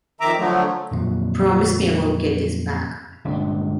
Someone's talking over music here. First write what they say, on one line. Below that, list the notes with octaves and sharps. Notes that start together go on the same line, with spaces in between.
Promise me I will get this back.
F2 D#3 E5 A#5 D6
D3 F3 F#3 A3
F2 A#2 F3 F#3
G1 C#2 A#2 D4